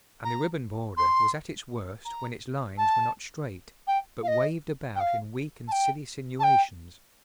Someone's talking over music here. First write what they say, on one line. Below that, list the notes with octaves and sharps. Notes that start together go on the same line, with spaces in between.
And the ribbon border was at its worst when its lines were not straight, but waved about in weak and silly sinuations.
A#5
C6
A#5
A5
G5
F5
D#5
G5
F5
A5
G5
A5
G5